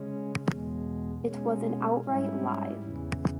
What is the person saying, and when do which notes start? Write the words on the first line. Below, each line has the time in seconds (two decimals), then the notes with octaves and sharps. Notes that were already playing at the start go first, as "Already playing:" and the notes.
It was an outright lie.
Already playing: C#3 G#3 C#4
0.47 E2 B2 G#3
1.25 B2 G#3 C#4
2.05 G#2 G3 C#4 E4
2.83 E2 C#3 E3